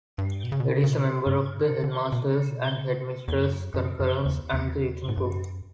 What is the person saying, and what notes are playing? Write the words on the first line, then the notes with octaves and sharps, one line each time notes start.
It is a member of the Headmasters' and Headmistresses' Conference and the Eton Group.
G2
B2
C#3
B2
C#3
C#3
B2
G2
A2
G2
D3
B2
C#3
B2
C#3
E2
F#2
F#2
F#2
E2
E2
A2
G2
F#2